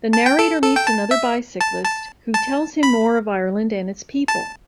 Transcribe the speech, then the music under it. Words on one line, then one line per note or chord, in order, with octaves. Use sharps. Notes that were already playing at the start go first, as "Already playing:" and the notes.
The narrator meets another bicyclist who tells him more of Ireland and its people.
A5
G5
A4
A4
G5
A5
E5
A5
A5
A5
B5
A5